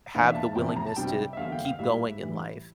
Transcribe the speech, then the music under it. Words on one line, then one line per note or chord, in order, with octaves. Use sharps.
have the willingness to keep going in life.
E2 E3 A#3 D4 F5
E5
A5
A5
E2 C3 F3 C4 E4 G5
A5
A#5
A5
C2 C3 G3 C4 G5
E5
E2 D3 G3 A#3 F5
G5
F5
A2 G3 A#3 E4 E5
A2 E3 G3